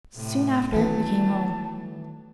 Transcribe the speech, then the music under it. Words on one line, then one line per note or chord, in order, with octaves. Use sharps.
Soon after we came home.
A2 C3
D#3 E3 F#3 A3 B3 A5